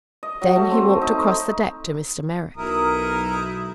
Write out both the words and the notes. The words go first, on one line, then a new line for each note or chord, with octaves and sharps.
Then he walked across the deck to Mr. Merrick.
D#5
F#3
A3
C4
D#4
B1 D#4 E4 A#4 D#6